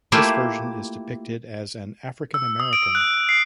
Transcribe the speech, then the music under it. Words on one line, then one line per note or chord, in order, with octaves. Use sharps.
This version is depicted as an African American.
A3 A#3 E4 F4 G4
E6
D#6
D7
F#6
C7